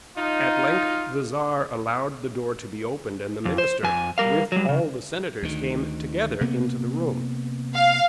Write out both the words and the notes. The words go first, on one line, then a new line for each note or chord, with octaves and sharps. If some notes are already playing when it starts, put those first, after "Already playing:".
At length the Czar allowed the door to be opened, and the minister, with all the senators, came together into the room.
D#4 F4
F2
C5
F2 G#5
G3 A#4 F5
F#3 G3
C#3
D2 D#3
C3 A#3 B3
F5